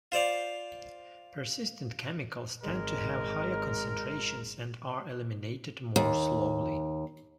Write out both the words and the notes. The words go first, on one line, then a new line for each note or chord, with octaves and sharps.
Persistent chemicals tend to have higher concentrations and are eliminated more slowly.
F4 C5 D5 F5
G#1 G#3 A#4
D#2